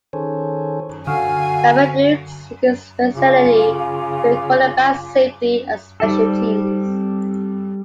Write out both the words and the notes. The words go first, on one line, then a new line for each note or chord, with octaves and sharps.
Babineaux used his versatility to play cornerback, safety, and special teams.
D#3 C#4 G#4 A4 C5 C#5
D3 F#4 A4 F5 G#5
C#3 F4 G#5 D6
G3 D#4 A4 C5
C4